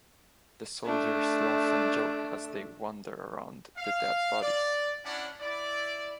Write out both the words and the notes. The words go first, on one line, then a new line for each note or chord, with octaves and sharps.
The soldiers laugh and joke as they wander around the dead bodies.
A3 D4
F5
D5
C#4 D4 E4 D5 F#5
E4 D5